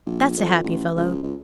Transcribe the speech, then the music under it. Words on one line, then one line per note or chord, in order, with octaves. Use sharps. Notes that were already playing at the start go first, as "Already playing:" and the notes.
That's a happy fellow!
A#1
F2
A1
C#2
C#2